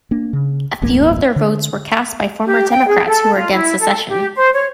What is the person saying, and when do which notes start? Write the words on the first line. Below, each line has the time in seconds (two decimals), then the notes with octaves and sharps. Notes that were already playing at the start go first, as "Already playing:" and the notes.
A few of their votes were cast by former Democrats who were against secession.
0.11 A#3 D4
0.33 C#3
0.82 D1 A1 G2 A#3
1.36 D3
2.47 G4
2.70 G5
2.88 G#4
3.06 A4
3.35 F4
3.51 E4
3.80 A4
4.09 G4
4.35 C5
4.53 C#5